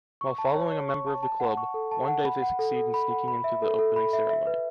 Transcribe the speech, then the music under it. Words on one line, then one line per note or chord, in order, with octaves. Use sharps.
While following a member of the club, one day they succeed in sneaking into the opening ceremony.
C#6
A5
C#5
C#5
C#6
A5
A5
F#5
C#6
A4
A5
F#5
B5
F#5
A4
A4
B5
F#5
B5
E5
A4
A4
B5
E5
E5
B4